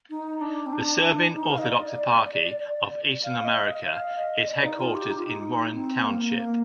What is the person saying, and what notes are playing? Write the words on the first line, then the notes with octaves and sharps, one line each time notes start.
The Serbian Orthodox Eparchy of Eastern America is headquartered in Warren Township.
D#4
D4
C4
D4
D#4
F5
D#5
D5
F5
D#5
D#5
F5
D#5
D5
D#4
F4
G4
D#4
F4
D#4
C4
A#3
A#3